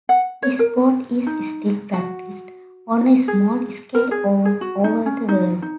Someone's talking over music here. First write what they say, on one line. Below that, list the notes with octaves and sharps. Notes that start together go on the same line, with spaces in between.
The sport is still practiced on a small scale all over the world.
F#5
C#5
A#4
D#4
F#4
G#4
A#4
G#4
G#4
F#4
D#4
C#4
D#4
D#4